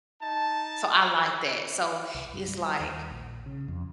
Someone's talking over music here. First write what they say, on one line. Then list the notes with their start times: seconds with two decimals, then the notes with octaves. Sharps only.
so I like that. So it's like
0.20 D#4 A5
2.14 C2
2.33 G2
2.48 G3
2.80 D#2
3.11 A#1
3.46 C#3
3.68 F2